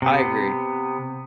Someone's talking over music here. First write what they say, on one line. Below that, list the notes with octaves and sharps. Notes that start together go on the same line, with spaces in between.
I agree.
C3 B3